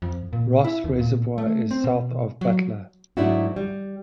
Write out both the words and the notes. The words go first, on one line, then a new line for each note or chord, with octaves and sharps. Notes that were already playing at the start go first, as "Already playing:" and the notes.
Foss Reservoir is south of Butler.
F2
A#2
E4
D#2
A#2
A3
C4
B2
F#3
G#2 F#3 A3 D4 E4 F#4
G3